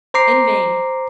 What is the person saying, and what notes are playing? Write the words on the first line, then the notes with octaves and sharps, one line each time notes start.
In vain!
C5 A#5 D6 C7